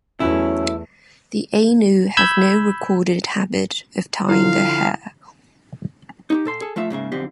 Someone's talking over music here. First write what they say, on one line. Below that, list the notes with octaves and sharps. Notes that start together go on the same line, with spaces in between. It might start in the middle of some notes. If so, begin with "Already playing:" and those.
The Ainu have no recorded habit of tying their hair.
E2 F#3 A3 C#4 E4
B5 E6 G6 G#6
D3 F3 E4 F4 F5
D#4 F#4 G4
A#2 A4 C6
G#4 A4
F3 A3 F4 E5
G#2 C#3 A#3 E5
B1 F2 D3 C4 G4